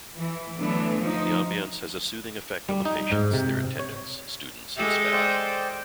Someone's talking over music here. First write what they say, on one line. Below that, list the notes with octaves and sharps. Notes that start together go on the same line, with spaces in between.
The ambience has a soothing effect on the patients, their attendants, students and staff.
E3
D3 E3 F#3 A3 B3 D4
F3 D#4
G3
D#4
G#2
C3
C#5
G#3 G4 A4 E5
C5 D5 G5